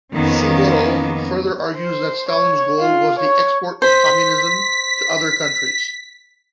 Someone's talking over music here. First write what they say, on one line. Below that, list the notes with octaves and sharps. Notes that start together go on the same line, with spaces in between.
Suvorov further argues that Stalin's goal was the export of communism to other countries.
F2 D#3 A#3 B3 C#4
C5
C#5
F4
C#5
C5 B6